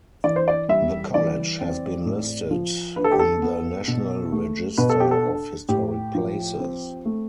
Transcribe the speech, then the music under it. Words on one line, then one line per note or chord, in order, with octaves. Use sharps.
The college has been listed on the National Register of Historic Places.
E3 D5
C5
D5
G3 E5
E3 D5
C4
A2
F3
D4 B4
A4
G4
A4
B3
B2
A3
B2 B4
A4
G4
A4
D4
A2 G4
F3
C4
A3